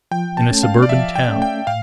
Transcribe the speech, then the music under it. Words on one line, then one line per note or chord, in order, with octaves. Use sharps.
In a suburban town?
F3 G5
A5
A3 C#4
F5
D5
F3 E5
G5
A3 C#4
G5
A2 F5